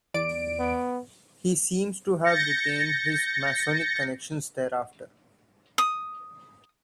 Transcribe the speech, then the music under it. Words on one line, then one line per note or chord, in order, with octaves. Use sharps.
He seems to have retained his masonic connections thereafter.
E2 D5 D7
B3
G6 A6 A#6 C#7
D#6